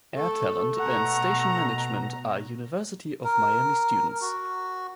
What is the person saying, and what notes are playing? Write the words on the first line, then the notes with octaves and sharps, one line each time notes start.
Air talent and station management are University of Miami students.
A3 A4
B2 F#5 A#5
A#4
F#4